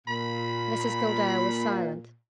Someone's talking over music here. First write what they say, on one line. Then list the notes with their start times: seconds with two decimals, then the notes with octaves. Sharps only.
Mrs Gildea was silent.
0.07 A#2 B5